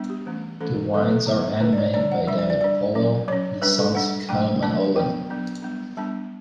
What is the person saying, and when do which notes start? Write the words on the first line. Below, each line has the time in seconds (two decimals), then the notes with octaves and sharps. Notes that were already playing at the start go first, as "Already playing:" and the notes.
The wines are handmade by David Powell and his sons Callum and Owen.
Already playing: G3 B3 D4
0.10 G4
0.26 E3 A3 C#4
0.61 E3 A3 C#4 A4
0.93 D3 F#3 B3 A4
1.03 B4
1.11 A4
1.27 D3 F#3 B3
1.60 D3 G3 D4 B4
1.73 D5
1.78 C#5
1.94 D3 G3 D4 D5
2.12 F#5
2.27 G3 D4 E5
2.39 D5
2.50 D5
2.61 G3 D4 D5
2.95 F#3 C#4
3.28 F#3 C#4 C#5
3.62 G3 D4 B4
3.79 A4
3.95 G3 D4 F#5
4.29 F#3 A3 D4 G5
4.63 F#3 A3 D4 A5
4.96 F#3 B3 D4 G5
5.30 F#3 B3 D4
5.63 G3 B3 D4
5.97 G3 B3 D4 A5